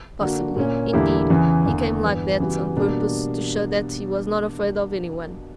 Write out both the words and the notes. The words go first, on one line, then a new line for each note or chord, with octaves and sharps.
Possibly, indeed, he came like that on purpose to show that he was not afraid of anyone.
D3 A#3 D4 F#4
A#2 A#3 C#4
E2 D3 A#3 E4 G4
E2 C#3 E3
E2 D3 A#3
G2 E3 B3
C#3 E3 G3 B3 F#4
B2 G3 A#3 D4